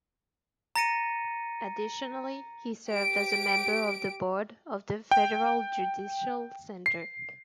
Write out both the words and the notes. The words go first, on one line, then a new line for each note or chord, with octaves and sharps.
Additionally he served as a member of the Board of the Federal Judicial Center.
A#5 A6 A#6 C#7 D#7
G4 D7
G5
C7